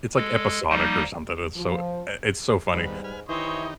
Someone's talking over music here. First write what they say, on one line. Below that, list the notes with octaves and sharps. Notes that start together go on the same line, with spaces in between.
It's, like, episodic or something, it's so i it's so funny,
G#3 A4
F3 G3 A#3 D#4
F3
D#2 G#2 G3 B3
B4 G#5 F6
D#3 E3 D#4 E4 G4 C5 C#5 D#5